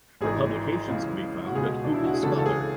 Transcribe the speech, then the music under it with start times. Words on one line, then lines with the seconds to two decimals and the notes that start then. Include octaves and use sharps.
Her publications can be found at Google Scholar.
0.21 G#1 G#2 E3 G#4
0.88 C#2 C#3 E3
1.46 F#4
1.56 C#2 B2 G#4
1.84 D4
1.94 E4
2.04 F#4
2.13 G#4
2.23 C#2 C#3 E3 A4
2.38 A4
2.46 G#4